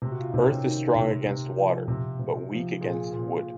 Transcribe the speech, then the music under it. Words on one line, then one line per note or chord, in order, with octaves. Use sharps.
Earth is strong against water, but weak against wood.
C3
F#4
F4
C3 D#4
C#4
C4
D#3
C3
C3
F3
C3
C3
F3
A#2 G#4
A#2